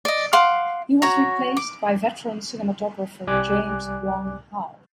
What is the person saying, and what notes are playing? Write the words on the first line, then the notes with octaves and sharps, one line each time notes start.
He was replaced by veteran cinematographer, James Wong Howe.
D5 D#5
F5 F#5 C6 D6
F#4 C#5 A#5
D6
C2 G3 D5 G#5 D6 F#6